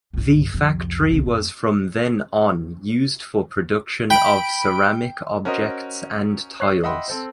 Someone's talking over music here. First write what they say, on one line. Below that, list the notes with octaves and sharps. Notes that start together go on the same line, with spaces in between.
The factory was from then on used for production of ceramic objects and tiles.
C2 G2
C2 F2
C2 C4
F2 A3
G5 B5 D7
C#4 F#4 A#4 C5 D#5
C#5 F#6 C7
D#5 E5 F#5 G5 B5 C6
C4 A4 C5